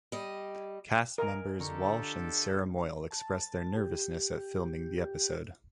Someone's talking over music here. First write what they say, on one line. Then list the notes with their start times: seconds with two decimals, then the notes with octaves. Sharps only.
Cast members Walsh and Sarah Moyle expressed their nervousness at filming the episode.
0.12 G3 D#5
1.18 A#4 D#5 G#5
1.59 D3 F4 G4 A4 A#5 C#6
3.11 A5
3.77 G4